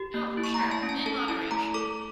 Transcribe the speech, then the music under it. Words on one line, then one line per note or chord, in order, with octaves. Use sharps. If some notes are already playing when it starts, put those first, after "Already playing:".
Oh, for sure, in moderation.
Already playing: G4
A#3
E4
C#6
A#5
A3
A5
C#4
A5
A4 A5
E4 A5
A3 A#5
A4 D6